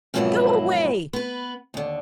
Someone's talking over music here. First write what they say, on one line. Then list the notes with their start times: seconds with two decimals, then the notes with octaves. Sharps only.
Go away.
0.14 F2 G#2 B2 F#3 A#3 E4
1.13 B3 B4
1.74 D#2 D3